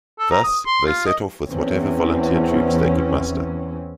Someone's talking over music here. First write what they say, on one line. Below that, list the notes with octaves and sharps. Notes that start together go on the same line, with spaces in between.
Thus, they set off with whatever volunteer troops they could muster.
A4
A#5
D#6
C6
F4
D#5
E2 E3 C4 C#4